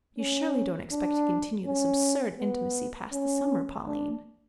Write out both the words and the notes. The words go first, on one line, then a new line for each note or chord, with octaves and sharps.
"You surely don't expect to continue this absurd intimacy past the summer, Pauline?"
C#4
D4
C#4
B3
C#4
D4